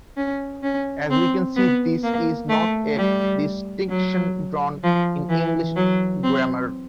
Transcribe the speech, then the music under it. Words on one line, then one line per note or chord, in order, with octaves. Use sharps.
As we can see, this is not a distinction drawn in English grammar.
C#4
C#4
C4
B3
A#3
A3
G3
F#3
F3
E3
F#3
C4